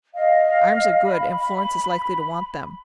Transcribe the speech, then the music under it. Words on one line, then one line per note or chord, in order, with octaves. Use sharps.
Arms are good, and Florence is likely to want them.
D#5 F5
B5